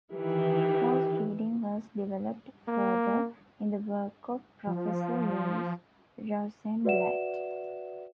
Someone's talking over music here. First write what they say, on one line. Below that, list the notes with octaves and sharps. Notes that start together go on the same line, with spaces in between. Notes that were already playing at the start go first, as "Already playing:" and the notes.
Close reading was developed further in the work of Professor Louise Rosenblatt.
D#3 E3 G4
A#3
F3
F#4 B4 D5 E5 F#5 E7